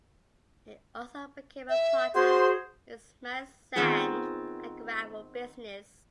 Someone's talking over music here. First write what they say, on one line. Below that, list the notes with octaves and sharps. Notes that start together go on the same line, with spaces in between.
He also became a partner in Smythe's sand and gravel business.
E5
F#4 G#4 C5 C6
D#3 B3 C4 F4 G#4